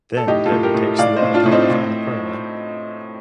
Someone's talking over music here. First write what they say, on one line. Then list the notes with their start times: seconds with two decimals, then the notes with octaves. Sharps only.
Then Devi takes the avatar of Annapurna.
0.17 A4
0.27 A2 D#4 G4
0.46 F4 A4
0.52 A2
0.63 G4 A#4
0.75 A2
0.98 A2 D5 F5
1.16 C5 D#5
1.23 A2
1.34 D4 F4
1.46 A2
1.52 C4 D#4
1.70 A2